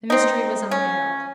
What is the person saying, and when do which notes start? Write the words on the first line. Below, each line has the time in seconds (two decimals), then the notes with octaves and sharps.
The mystery was unveiled.
0.10 C4 D#4
0.71 C#4